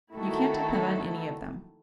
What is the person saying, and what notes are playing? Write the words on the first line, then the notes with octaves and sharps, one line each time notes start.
You can't depend on any of them.
D#3 A3 E4 F#4 A4